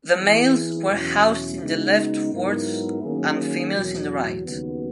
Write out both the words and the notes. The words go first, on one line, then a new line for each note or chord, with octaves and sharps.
The males were housed in the left wards and females in the right.
E3 B3 E4 G#4
E2 B2 F#3 C#4 E4
C#3 G#3 B3 D#4 F#4
G#2 F#3 B3 E4 A#4
D#3 F#3 A#3 C#4 G#4
E2 B2 F#3
D#2 C#3 F#3 B3